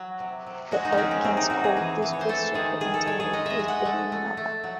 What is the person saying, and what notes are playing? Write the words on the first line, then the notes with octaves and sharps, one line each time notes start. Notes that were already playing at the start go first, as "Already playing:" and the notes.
The Aitkin School District's Superintendent is Bernie Novak.
Already playing: F#3
C3
C3
G#3 F#4
D#4
C#4
G#3 C4
C#4
C3 C4
D#4
C3 F#4
G#4
E3
E3
C#5
C5
A3 A4
D#3 G#4
D#3 G#4
A4
D#3 C#5
G#4
G#3 D#5
D#5 E5
G#3
F#5
A3
A3
A3
F#3